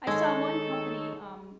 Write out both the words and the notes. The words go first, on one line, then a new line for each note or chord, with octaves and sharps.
I saw one company, um,
D#3 G#3 D#4 A4 C#5